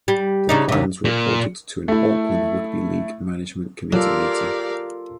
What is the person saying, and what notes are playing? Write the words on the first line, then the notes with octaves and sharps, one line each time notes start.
The plans were reported to an Auckland Rugby League Management Committee meeting.
G3
C#3 D4 D#4
D#2 C3
A#2
A3 E4
F#3 F4 G4 A4 A#4 D5 F5